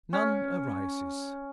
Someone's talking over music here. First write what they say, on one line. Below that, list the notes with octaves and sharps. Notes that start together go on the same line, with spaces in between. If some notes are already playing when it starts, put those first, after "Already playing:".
None arises.
C#4